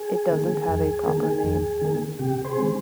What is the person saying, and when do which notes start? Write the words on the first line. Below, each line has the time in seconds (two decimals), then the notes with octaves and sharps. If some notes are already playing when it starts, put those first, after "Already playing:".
It doesn't have a proper name.
Already playing: G#4
0.30 D#3 A#3
0.68 F2
1.06 D#3 A#3
1.44 F2
1.81 D#3 A#3
2.19 C3 G4
2.45 G#4 C5
2.57 D#3 G#3 C4